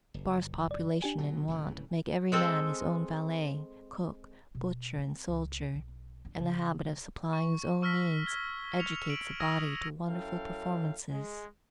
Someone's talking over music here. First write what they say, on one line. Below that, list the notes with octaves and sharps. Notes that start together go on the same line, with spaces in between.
A sparse population and want make every man his own valet, cook, butcher and soldier, and the habit of supplying his own needs educates the body to wonderful performances.
F#1
D5
D4 G4 G#5
B2 F#3
D1 C#3 E3
G#3 C4 A4
B2
C4
C#2
B1
D4
C#3
C#6
C#6 E6 F6 A#6 B6
G#6 G7
C#6 C#7 F7 G7
D7 F#7
D#6 E6 G#6 A#6 D7 D#7
F#2 C#4 E4 A4 F5 G5
G#3